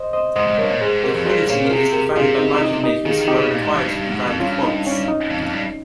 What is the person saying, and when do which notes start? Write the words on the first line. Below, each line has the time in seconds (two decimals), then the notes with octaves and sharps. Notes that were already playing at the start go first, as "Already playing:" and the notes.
Liquidity is provided by market makers who are required to provide quotes.
Already playing: C5 D#5
0.13 C5 D#5
0.36 G#2 C5 D#5
0.47 G#2
0.58 G2 A#4 C#5
0.70 A#2
0.81 G#2 G#4 C5
1.03 G4 A#4
1.14 F2
1.26 G2 G#4 C5
1.48 A#2 C#5 F5
1.65 A#4
1.70 C3 F4 G#4
1.93 G4 A#4
2.10 G4
2.16 C3 F4 G#4
2.39 D#4
2.61 D#4
2.83 D#4 G4
3.05 D#3 F4 G#4
3.21 D#3
3.28 D#4 G4
3.36 C#3
3.51 A#2
3.62 G#2
3.74 F2
3.85 G2
3.96 G2
4.11 G#2
4.26 F2
4.40 G2 C#4 F4
4.63 D#4
4.86 C#4
5.08 D#4
5.30 F2
5.42 F2
5.53 G2